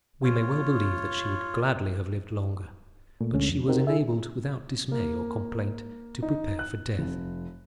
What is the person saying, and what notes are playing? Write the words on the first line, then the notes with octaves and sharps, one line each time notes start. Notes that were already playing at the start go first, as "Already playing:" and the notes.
We may well believe that she would gladly have lived longer; but she was enabled without dismay or complaint to prepare for death.
F4 C#5
A#2 A3
D2 B2 D3 G#3 A3 C#4
F2 D3
C4 D#4 F#4 G4 A#4
E4 G#4 E5
A#3
D#4
F#6
F1